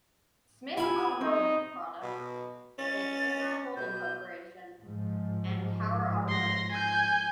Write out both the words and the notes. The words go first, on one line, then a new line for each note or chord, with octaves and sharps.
Smith Automotive Products, Dana Holding Corporation, and Tower Automotive.
E4 F4 G4 G#5 B5
C4 D#4
B2
C#4 A6
B2 G6
G#2 F3
C6 A#6
G#5 G6